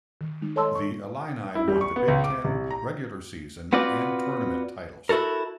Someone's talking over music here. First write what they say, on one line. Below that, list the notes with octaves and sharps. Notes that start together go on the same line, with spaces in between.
The Illini won the Big Ten regular season and Tournament titles.
D#3
D#3 G#3 D#4
A4 C#5 D#5 A5 C6 E6
C#6
E4
G3
C#6
B3
C#2
D6
C2
A#5
B3 C4 F4 F#4 D5
E4 F#4 A4 A#4